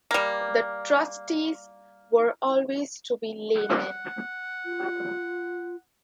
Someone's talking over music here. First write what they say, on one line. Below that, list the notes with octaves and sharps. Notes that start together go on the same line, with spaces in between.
The trustees were always to be laymen.
G3 A#3
F#5
F4